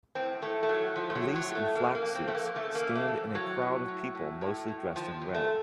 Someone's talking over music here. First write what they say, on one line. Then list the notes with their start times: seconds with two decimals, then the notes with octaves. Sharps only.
Police in flack suits stand in a crowd of people mostly dressed in red.
0.15 A2 C4
0.42 A2 A3
0.63 A3
0.69 A2 F#3
0.95 A2 F3
1.10 A3
1.15 F#3
1.22 A2
1.36 F#3
1.49 A2
1.55 A3
1.75 C#3 A#3
1.95 A#3
2.02 F2
2.15 C4
2.28 F2 A3
2.35 A#3
2.55 C#3 A3
2.75 A#3
2.82 C#3
2.95 A3
3.08 F2
3.35 A2 F#3
3.62 A2
3.88 A2
4.15 A2
4.41 A2
4.68 A2
4.95 D#3 F3
5.22 F#2
5.34 A3